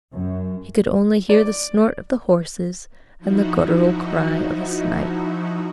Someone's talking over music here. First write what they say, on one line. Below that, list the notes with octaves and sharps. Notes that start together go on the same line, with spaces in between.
He could only hear the snort of the horses, and the guttural cry of a snipe.
F#2
D5
F3 D#4 E4 F#4